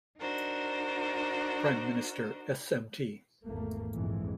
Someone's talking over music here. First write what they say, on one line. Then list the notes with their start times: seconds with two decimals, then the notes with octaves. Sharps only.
Prime Minister Smt.
0.19 D4 D#4 F#4 A#4 C5
3.44 G#1 E2 A3 A#3
3.95 A#1 F2 G#2 E3 G#3